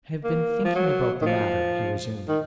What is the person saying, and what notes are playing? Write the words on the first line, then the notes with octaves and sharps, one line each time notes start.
"I have been thinking about the matter," he resumed.
A#3
F3
F#3
D#3
F3
D#3